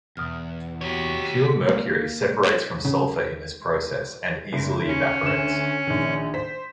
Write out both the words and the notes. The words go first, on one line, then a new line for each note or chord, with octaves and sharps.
Pure mercury separates from sulfur in this process and easily evaporates.
E2 B2 F6
F#4 G4 C#5 B6
A#3
C#3
F#1
C#4
D2 E7
A#1 D#3
C5 B6